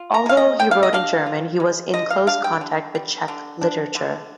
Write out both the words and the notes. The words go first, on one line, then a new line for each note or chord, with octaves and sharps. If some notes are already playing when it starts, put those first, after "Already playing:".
Although he wrote in German, he was in close contact with Czech literature.
Already playing: F4
A#5
G#3 F5
D#5
D3 G5
F5
D#5
D4 F5
F4
G#3
D3 D#5
F5
D4 F5
G5
D3
G3
D3
D4
D3